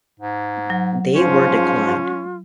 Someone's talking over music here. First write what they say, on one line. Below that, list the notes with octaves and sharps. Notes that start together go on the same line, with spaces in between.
They were declined.
G#2
F#3
G#2 F3 C#4 F4 C5